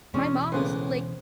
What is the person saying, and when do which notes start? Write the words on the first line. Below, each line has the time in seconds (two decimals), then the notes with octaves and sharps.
my mom's, like,
0.14 B2 E3 G#3 C#4 D4
0.52 C#2 A2 C#3 A#3 B3 G#4 B4 C5